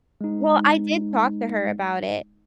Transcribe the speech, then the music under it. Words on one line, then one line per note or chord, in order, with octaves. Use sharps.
Well, I did talk to her about it,
G#3 D#4